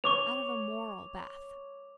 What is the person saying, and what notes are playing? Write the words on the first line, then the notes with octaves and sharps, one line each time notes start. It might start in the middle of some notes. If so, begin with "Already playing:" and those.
Out of a moral bath.
C#5 C#6 D6 F7